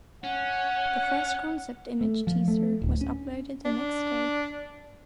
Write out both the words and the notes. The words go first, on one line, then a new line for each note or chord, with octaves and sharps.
The first concept image teaser was uploaded the next day.
C#4 F#5
A3
F3
A3
D1
C#4
D4